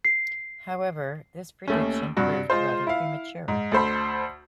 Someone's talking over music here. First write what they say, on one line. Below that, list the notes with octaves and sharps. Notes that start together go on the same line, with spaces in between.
However, this prediction proved rather premature.
C7
D#2 A3 C#4
G2 C3 F#4
G#3 F4 C5
E4 F5
G#2
D2 A4 C5 B5